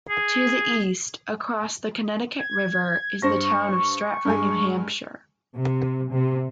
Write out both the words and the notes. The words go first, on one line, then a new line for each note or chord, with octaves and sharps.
To the east, across the Connecticut River, is the town of Stratford, New Hampshire.
G#4
G#6
G2 C5 C#6 A#6
G2 G#3 G#5
C3
C3